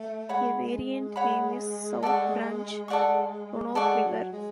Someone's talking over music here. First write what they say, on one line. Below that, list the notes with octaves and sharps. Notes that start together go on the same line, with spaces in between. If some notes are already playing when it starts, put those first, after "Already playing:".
A variant name is "South Branch Roanoke River".
Already playing: A3
G#3 C#5 F#5 B5
C#5 F#5 B5
A4 D5 F#5 C#6
A4 D5 F#5 C#6
G#3 A4 D5 F#5 C#6
F#3
G#3